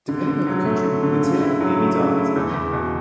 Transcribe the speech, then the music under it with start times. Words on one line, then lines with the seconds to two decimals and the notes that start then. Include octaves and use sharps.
Depending on the country, the tail may be docked.
0.09 D3
0.27 D3
0.47 F#3
0.65 A3
0.84 D3
1.03 D3
1.22 C#3
1.41 E4
1.61 F#3
1.79 A3
1.98 C#3
2.17 E4
2.36 E2
2.54 E2
2.73 B2